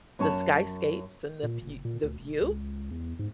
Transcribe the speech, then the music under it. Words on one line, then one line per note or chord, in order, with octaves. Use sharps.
the skyscapes and the fe the view.
F#2 C#4 C#5 A5
A#2
F#1
A#2
D2
E1
C#2
E2
G#2